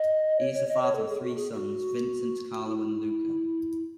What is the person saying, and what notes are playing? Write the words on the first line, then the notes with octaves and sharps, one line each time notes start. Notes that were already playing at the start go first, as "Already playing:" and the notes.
He is the father of three sons, Vincent, Carlo, and Luca.
Already playing: D#5
C#5
C#5
D#5
C#5
A4
G#4
F#4
G#4
F#4
E4